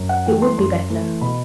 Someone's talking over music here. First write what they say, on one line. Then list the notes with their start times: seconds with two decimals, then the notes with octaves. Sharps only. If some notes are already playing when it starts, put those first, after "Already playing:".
It would be better.
Already playing: F#2
0.09 F#5
0.26 E3 A3 G5
0.42 C6
0.58 F#2 C6
0.90 E3 A3
1.21 B2 B5